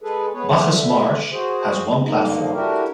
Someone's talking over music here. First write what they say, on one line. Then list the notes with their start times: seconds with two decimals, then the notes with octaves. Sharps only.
Bacchus Marsh has one platform.
0.02 G#3 G#4 A4 B4
0.33 B3 G#4 B4 C#5
0.50 D3 E5
1.32 F#4 G#4 C5
2.05 G2 D3 A#3 D#4
2.53 A3 D4 E4 F#4 G4 A#4